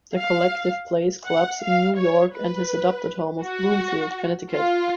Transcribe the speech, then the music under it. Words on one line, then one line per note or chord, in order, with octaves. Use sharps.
The collective plays clubs in New York and his adopted home of Bloomfield, Connecticut.
F5
F#5
F5
C#5
B4
F#4
F4